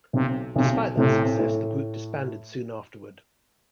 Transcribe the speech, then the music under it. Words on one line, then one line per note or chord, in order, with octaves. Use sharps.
Despite that success, the group disbanded soon afterward.
B1 C3
B1 C3
A2 C3
A2